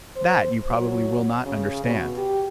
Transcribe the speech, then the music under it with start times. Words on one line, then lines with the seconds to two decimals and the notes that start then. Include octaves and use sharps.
That you probably will not understand.
0.16 C5
0.70 F#3
1.45 C#3
1.84 B2
2.17 G4